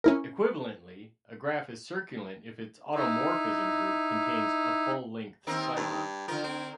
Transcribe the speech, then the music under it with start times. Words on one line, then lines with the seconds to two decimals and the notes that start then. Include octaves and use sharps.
Equivalently, a graph is circulant if its automorphism group contains a full-length cycle.
0.04 C#4 E4 A#4
2.95 D#4 E4
5.47 D#2 C4 A#4
5.77 G2
6.28 D3 F3 A#4
6.44 C4